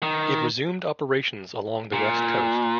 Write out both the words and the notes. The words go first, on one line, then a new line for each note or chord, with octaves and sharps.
It resumed operations along the west coast.
D#3
A#2